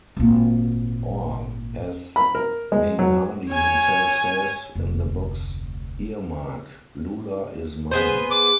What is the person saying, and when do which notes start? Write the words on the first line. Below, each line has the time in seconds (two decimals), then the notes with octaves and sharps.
Or, as Mainardi himself says in the book's earmark, Lula is mine.
0.17 G#1 A#2
2.16 B5
2.35 A#4
2.72 G#3
2.99 F#3
3.50 C#5 G#5
4.75 F1 D2
7.91 B3 G#4 C5
8.31 D6